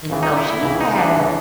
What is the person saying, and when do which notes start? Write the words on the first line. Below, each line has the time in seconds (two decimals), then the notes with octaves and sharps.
and so she had
0.10 C#2 C#3 E3
0.23 D#4
0.37 E4
0.50 E4
0.63 C#2 C#3 E3 E4
0.81 D#4
0.98 D4
1.15 C#2 C#3 E3